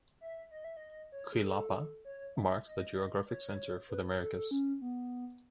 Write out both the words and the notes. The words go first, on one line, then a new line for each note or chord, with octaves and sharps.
Cuilapa marks the geographic center of the Americas.
E5
D#5
E5
D#5
C#5
G#4
A4
C#5
E5
D#5
C#5
B4
A4
A4
C#4
B3